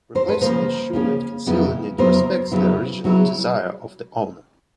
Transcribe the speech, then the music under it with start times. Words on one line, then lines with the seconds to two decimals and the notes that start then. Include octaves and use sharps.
Replacing the shoe and concealing it respects the original desire of the owner.
0.15 A#4 C5
0.28 A4 B4
0.41 C#3 F3 A#3 C#4 A#4 C5
0.93 C#3 F3 A#3 C#4
1.46 F2 C#3 F#3 B3 E4
1.98 F2 C#3 F#3 B3 E4 A#4 C5
2.51 F2 C#3 F#3 B3 E4
3.04 C#3 F#3 B3 E4